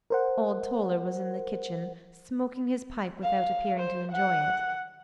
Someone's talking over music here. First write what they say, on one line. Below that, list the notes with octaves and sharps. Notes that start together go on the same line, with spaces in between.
Old Toller was in the kitchen, smoking his pipe without appearing to enjoy it.
A#4 C5 F#5
F5
C5
F#5